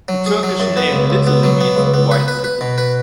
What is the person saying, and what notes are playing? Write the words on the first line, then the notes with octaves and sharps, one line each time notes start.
The Turkish name literally means "white city".
F#3
G#4
F#3
F#2
B3
C#2
C#2
B3
F#3
B3
C#2
B3
B4
B4
B4
B2
B4